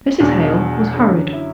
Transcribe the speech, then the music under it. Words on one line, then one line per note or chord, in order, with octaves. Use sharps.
Mrs. Hale was hurried.
E1 E2 B2 F#3 D4
F#2 D3 F#3
E4